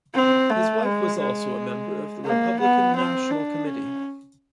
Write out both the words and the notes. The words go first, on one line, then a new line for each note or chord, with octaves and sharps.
His wife was also a member of Republican National Committee.
C4
A3
G#3
G#3
A#3
B3
C4
D4
C#4